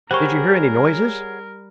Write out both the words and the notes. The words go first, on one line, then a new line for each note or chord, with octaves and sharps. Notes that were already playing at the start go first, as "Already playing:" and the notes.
"Did you hear any noises?"
G3 G#4 A#4 C5 C#5 F#5 C#6